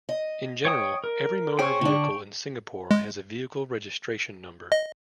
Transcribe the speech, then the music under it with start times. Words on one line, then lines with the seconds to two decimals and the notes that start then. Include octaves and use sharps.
In general, every motor vehicle in Singapore has a vehicle registration number.
0.09 D#5
0.65 C#5 G5 D#6
1.04 A#4
1.59 C#4 G#4 C5 G5 C#6
1.81 D3 D4
2.91 G#3
4.72 D#5